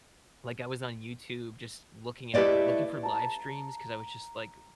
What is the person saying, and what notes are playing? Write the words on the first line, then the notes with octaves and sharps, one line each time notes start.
Like, I was on YouTube just looking at looking for livestreams 'cause I was just, like,
A3 E4 G4 B4 D5 D#5
A5 A#5